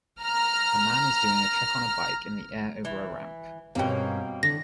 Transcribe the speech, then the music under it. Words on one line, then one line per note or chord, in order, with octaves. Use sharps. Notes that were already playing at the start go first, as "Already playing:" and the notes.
A man is doing a trick on a bike in the air over a ramp.
A#5 F6
E3
G2 B2 A#3 C4 C#4 G5
D3 A#6